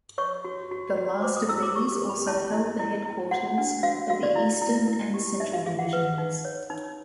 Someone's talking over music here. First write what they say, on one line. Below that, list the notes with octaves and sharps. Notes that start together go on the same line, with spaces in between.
The last of these also held the headquarters of the Eastern and Central Divisions.
C#5 C#6
F#4
F#4
F#4
C5 D6
D#6
E4 E6
D6
G4 C#6
D6
G4
B5
E4 A5
E4
E4
E4
F#4 F#5
D4
F#4 F5
F#4 F5
D5
E4
E4
E4
G4
D#4 E5
F5
G#4 F5
F#5
B4
D#4
C#5
D#4